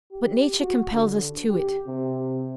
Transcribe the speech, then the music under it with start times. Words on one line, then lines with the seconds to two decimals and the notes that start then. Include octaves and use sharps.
But nature compels us to it.
0.12 G4
0.60 F#4
0.93 D3
1.49 G4
1.87 C3